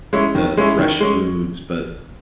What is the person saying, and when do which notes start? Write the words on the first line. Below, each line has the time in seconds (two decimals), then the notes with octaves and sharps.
the fresh foods, but
0.13 G#3 C#4 E4
0.35 D#3
0.57 G#3 C#4 E4
0.79 D#3
1.00 G#3 C#4